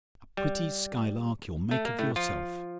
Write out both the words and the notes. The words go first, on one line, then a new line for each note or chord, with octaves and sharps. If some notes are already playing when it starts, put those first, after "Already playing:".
A pretty skylark you'll make of yourself!
G3
A3
A#3
A2 A3
F3 F4